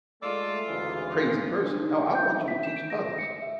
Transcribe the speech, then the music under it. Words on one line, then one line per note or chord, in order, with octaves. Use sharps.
crazy person. I I want you to teach others
G#3 A3 F4 D5 D6 E6
D2 G#2 C#3 E3
D4
D#4
G5
G6
E5
B6
E7
D7
A#6
C#7
E5